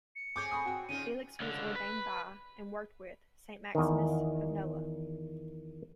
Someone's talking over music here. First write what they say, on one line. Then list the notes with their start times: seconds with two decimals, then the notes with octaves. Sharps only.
Felix was ordained by, and worked with, Saint Maximus of Nola.
0.16 C#7
0.36 C4 G#4 C#5 D6 G6
0.51 B5 C#6 D#6
0.66 F#4 G5
0.89 C#3 C#4 D#4 F4 D#7
1.40 C#2 D3
1.76 B4
3.75 E2 D#3